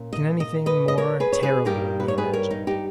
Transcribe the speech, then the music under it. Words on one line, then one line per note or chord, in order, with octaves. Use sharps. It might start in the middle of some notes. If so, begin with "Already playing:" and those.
Can anything more terrible be imagined?
Already playing: A#2 C#4
D#5
D#5
B4 D#5
D#5
A#4 C#5
G#4 B4
C#5
G#4 B4
G2 G3 A#3 D#4 G4 A#4
B4
C#5
G#4 B4
A#4 C#5
D#4
D#4 G4